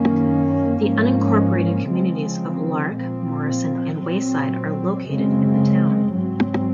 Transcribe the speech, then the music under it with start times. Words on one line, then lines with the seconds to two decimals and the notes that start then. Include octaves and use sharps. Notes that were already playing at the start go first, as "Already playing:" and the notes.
The unincorporated communities of Lark, Morrison, and Wayside are located in the town.
Already playing: F#2 D#3 A#3 C#4
0.82 G#2 F3 A#3 C#4
1.88 C#3 F3 G#3 C4
2.94 A#2 F3 C4
4.00 A#2 F#3 C4
5.06 F#2 C#3 G#3 C4
6.12 G#2 F#3 C4